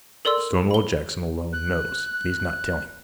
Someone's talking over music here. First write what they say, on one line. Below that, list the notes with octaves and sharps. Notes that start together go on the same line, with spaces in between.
"Stonewall Jackson alone knows, and he's not telling."
A4 A#4 D5 C6 E6
B5 G7
F#6